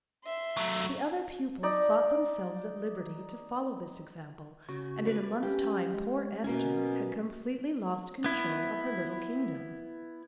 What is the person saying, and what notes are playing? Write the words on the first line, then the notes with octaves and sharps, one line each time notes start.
The other pupils thought themselves at liberty to follow this example, and in a month's time poor Esther had completely lost control of her little kingdom.
E5 C6
F#3 A3
D#4 D5
C#3 F#4
B4 D5 C#6
C#4 G4
G#3
B2 A#3 C#4 G#5
B3 E4